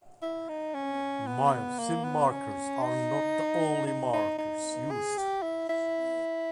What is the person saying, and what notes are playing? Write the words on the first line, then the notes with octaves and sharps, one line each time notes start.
Mil-Sim markers are not the only markers used.
E4
D#4
C#4
B3
A#3
B3
C#4
D#4
D#4
D#4
D#4
G#4
G4
E4
E4